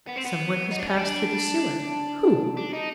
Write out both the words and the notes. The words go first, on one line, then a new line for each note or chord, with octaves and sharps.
Some one has passed through the sewer. Who?
B3
C4
B3
D#4
D4
C#4
D4
D4
D#4